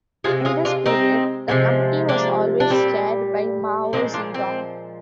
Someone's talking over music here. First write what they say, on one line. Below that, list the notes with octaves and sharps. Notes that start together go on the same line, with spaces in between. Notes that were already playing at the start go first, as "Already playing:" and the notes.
In this period, the Committee was always chaired by Mao Zedong.
C3 F3 G#3 F4 G#4
F4 G#4
D4 F4
C4 D#4
C3 F3 G#3
A#3 D4
D4
A#2 G3 C4
A#2 F3 G#3 C4 D#4
D4 F4
C4